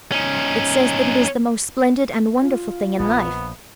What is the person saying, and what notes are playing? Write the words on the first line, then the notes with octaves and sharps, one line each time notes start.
It says that it is the most splendid and wonderful thing in life.
C#4 D#4
F4
A#1 A#2 B3